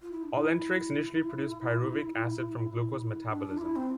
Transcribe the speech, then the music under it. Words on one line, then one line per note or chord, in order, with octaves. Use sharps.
All enterics initially produce pyruvic acid from glucose metabolism.
F4
E4
D4
E4
D4
F4
E4
C4